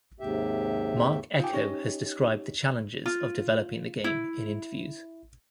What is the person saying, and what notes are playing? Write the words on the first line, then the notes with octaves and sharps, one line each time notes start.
Marc Ecko has described the challenges of developing the game in interviews.
D#2 G#2 C3 G4 E5
D#4 F4 G4 G#5
C#4 D#4 G4 C#5 D#5
F4
E4